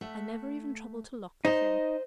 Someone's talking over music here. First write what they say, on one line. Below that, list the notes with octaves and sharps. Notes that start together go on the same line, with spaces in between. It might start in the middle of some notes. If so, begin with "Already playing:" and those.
I never even trouble to lock the thing.
A3 E5 F#5
D#4 C5 D#5